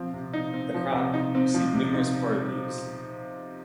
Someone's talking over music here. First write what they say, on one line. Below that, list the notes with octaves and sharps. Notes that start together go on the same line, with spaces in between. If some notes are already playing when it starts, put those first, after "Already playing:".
"The Crop" received numerous poor reviews.
Already playing: F3 C4
C3
D#4
C4
F3
C3
D#4
C4
F3
C3
D#4